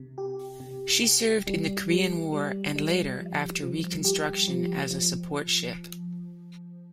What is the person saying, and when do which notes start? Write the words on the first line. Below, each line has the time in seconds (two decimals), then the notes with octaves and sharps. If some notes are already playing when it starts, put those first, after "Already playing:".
She served in the Korean War and later, after reconstruction, as a support ship.
Already playing: C3
0.18 G4
0.60 C3
1.04 G4
1.47 G3
1.89 G3
2.33 G3
2.76 G3
3.19 F3
3.62 F3
4.05 G4
4.48 F3
4.91 F3